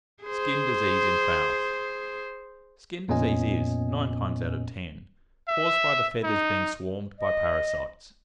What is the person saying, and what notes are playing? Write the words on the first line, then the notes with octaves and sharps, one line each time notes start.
SKIN-DISEASE IN FOWLS.--Skin-disease is, nine times out of ten, caused by the feathers being swarmed by parasites.
G#4 C5
F2 A#2 B3 C#4 D#5 G#5
E5
D#4
D#5